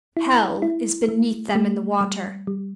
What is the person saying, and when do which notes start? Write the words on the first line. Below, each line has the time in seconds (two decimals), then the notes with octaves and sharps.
Hell is beneath them in the water!
0.17 E4
0.62 E4
1.09 A3
1.55 A3
2.01 G3
2.47 G3